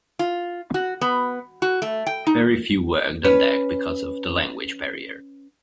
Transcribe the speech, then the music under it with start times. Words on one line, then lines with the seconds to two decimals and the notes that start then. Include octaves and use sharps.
Very few worked on deck because of the language barrier.
0.19 F4
0.74 F#4
1.01 B3
1.62 F#4
1.82 A3
2.07 G5
2.27 D#4
3.24 C#4 B4